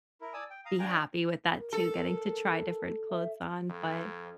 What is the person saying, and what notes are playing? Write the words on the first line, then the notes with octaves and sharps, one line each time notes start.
be happy with that too getting to try different clothes on. But
E4 A#4
D5 G#5 A5 D#6 E6
G5
F5 A#5 D#6
D4 F4 G5 G#5 A#5
A#4
A4
E5
F2